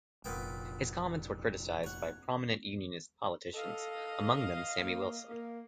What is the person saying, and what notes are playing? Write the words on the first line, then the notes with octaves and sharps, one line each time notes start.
His comments were criticised by prominent Unionist politicians, among them Sammy Wilson.
F1 A#1 A#2 B3 G5
C#5 F#5
A4 D#5 F5
A#3
A#3